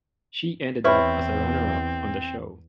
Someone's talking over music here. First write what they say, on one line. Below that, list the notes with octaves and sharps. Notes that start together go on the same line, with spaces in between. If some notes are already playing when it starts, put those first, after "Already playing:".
She ended up as runner-up on the show.
E2 C4 E4 B4 C#5 B5 C#6